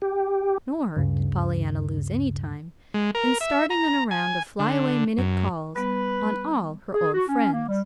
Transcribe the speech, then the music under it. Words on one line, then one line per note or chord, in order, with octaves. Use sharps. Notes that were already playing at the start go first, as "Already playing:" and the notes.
Nor did Pollyanna lose any time in starting on a round of fly-away minute calls on all her old friends.
G4
D2 G2 C#3
G#3
A#4
E5
A#5
G#5
D3
F#2
G3 B3 B4
G#4
F#4
C#4
A#3
G3